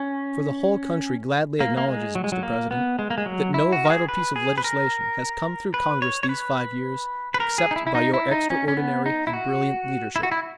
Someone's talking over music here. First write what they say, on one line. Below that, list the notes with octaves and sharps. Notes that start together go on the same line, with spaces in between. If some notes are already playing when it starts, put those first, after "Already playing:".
For the whole country gladly acknowledges, Mr. President, that no vital piece of legislation has come through Congress these five years except by your extraordinary and brilliant leadership.
Already playing: C#4
A#3
A#3
G#3
F#3
G#3
F#3
A#3
B3
G#3
A#3
G#3
F#3
E4
F#4
A#4
G#4
B4
G#4
B4
A#4
B4
C#5
C#5
B4
B4
A#4
G#4
D#4
E4
E4
D#4
E4
D#4
C#4
C#4
B3
D#4
E4
F#4
E4
F#4
E4